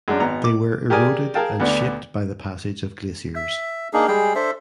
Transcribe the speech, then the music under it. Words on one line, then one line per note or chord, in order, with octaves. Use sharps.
They were eroded and shaped by the passage of glaciers.
F#2 G#3 D4
G#1 B3 A#5
D6
G4 G#4 A#4 D5 G#5 D#6
G#4 A#4 F5 G5 A5
D2 B3 D4
E5
A#3 D4 D#4 G#4
G3 G#3 G#4 G5
D4 A4 C5 E5